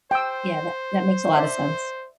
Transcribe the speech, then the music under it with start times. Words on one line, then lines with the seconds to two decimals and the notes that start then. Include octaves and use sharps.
yeah, that that makes a lotta sense.
0.11 C5 G5 E6
1.33 D5 E5